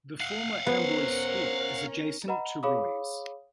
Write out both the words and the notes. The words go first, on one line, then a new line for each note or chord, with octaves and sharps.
The former Amboy School is adjacent to Roy's.
F5 F#5 C7
B3 C#4 A#4 C5
B4 D#5 F#5 A#5 B5
G#4 C#5 F5 B5 D6 D#6